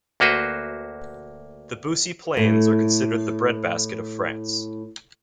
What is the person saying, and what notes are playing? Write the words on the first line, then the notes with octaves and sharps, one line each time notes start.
The Beauce plains are considered the breadbasket of France.
D2 A#3 F#4 B4 C5
A2 A3